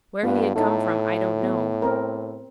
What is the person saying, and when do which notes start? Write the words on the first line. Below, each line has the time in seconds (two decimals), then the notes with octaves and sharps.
Where he had come from, I don't know.
0.23 G2 B3 F4 B4
0.56 A2 D#4 A4
1.42 B3
1.82 C4 A#4